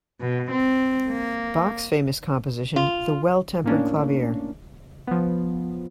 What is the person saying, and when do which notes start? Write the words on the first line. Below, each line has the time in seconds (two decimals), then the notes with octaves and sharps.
Bach's famous composition, "The Well-Tempered Clavier".
0.21 B2
0.51 C4
1.10 A#3
2.76 F4
3.64 A2 A#3 C#4 D4
5.07 F3 B3